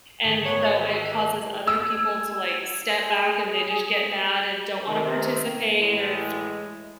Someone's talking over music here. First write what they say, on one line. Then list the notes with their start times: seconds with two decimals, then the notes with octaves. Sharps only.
and so it causes other people to, like, step back, and they just get mad and don't wanna participate, or
0.23 G#2 D3 D#3 G#4
0.45 A#3 B3 C#5
0.60 F#3 C4 D#5
0.81 F#4 E5
1.11 A#3
1.67 E6 G#6
3.09 G#4
4.87 C3 D#3
5.81 A2 E3 G#3